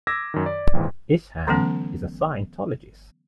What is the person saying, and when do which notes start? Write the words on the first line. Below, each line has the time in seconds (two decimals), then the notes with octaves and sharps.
Isham is a Scientologist.
0.07 D6 E6 G#6 A#6 B6
0.34 F#2 D#3
0.46 D5
0.73 A#1 D#2 G#2 E3
1.47 D3 E3 F#3 A3 B3 C#4